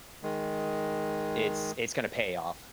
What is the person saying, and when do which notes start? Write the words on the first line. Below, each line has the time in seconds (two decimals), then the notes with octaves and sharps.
it's it's gonna pay off.
0.23 D#3 G#3